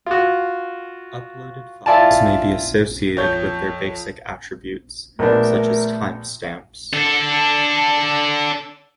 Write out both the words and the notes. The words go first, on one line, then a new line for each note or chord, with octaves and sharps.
Uploaded files may be associated with their basic attributes, such as time stamps.
F4 F#4
E4 F4 D5 G#5 A5
F2 C#5 G6
A#1 A3 B3 D4 A#4
D4 A4